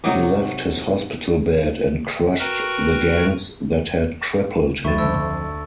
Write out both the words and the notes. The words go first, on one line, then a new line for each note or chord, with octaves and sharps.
He left his hospital bed and crushed the gangs that had crippled him.
C3 F#3 D#4 F#4
F#4 A#4 B4 G5 A#5 C#6
F2 E5 B5 C#6 A6
D2 E6